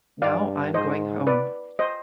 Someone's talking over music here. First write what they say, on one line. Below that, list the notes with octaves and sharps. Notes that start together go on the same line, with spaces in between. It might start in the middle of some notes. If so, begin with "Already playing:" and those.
Now I'm going home.
G2 D5 F5
G#2 C5 D#5
B4 D5
C5 D#5